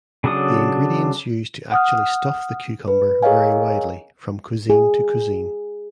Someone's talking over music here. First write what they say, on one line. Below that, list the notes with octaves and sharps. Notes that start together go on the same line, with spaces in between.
The ingredients used to actually stuff the cucumber vary widely from cuisine to cuisine.
C#3 F#3 D4 A4 D#6
F#5 D#6 F6
B4
G#4 A#4 C#5 D#5 F5 G#5
G#4